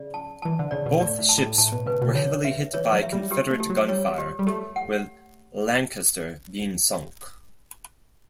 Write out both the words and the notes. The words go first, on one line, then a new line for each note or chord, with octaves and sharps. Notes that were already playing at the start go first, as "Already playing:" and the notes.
Both ships were heavily hit by Confederate gunfire, with "Lancaster" being sunk.
Already playing: C#3 D5
A5
E3 A5
D3
C#3 D5
B2
A2 D5
A2
A5
A2
A2 A5
B2
C#3 B4
B2
C#3
D3 C#5
E5
E3 C#5
F#3
E5
G3
G3 G4
A3
G4
F#3
G3 C#5
G4
G3
A3 G4
F#5